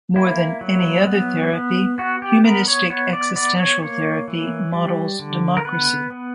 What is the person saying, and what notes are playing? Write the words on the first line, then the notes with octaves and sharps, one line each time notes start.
More than any other therapy, Humanistic-Existential therapy models democracy.
A#3 E4
F#3
B3
B3
B3 F#4
G4
B3 A#4
C#5
B3 C#5
D5
B3 D5
C#5
A#3 C#5
E3
G3
D3
A#4
B3 B4
B3